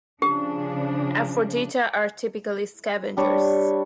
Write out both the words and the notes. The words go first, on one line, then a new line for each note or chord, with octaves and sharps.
"Aphrodita" are typically scavengers.
C#3 F3 D4 G4
G3 D4 C#5